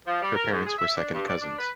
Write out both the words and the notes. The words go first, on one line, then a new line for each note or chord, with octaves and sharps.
Her parents were second cousins.
F3
G3
A#4
G#2
G#4
E5
D4
G2
D5
D4
B4